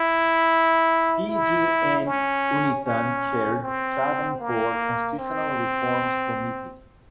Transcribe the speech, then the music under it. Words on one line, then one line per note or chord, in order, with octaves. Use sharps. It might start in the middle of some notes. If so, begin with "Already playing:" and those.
P. G. N. Unnithan chaired the Travancore Constitutional Reforms Committee.
Already playing: E4
E4
C#4
C#4
C4
A#3
C4